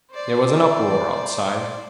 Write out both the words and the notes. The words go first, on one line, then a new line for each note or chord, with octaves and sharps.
There was an uproar outside.
C5 D5